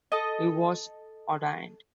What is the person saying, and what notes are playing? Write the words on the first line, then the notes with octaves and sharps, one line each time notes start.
He was ordained.
A4 D#5